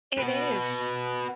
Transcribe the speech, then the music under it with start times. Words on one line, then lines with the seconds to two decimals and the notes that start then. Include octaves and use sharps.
It is.
0.18 F#4 B4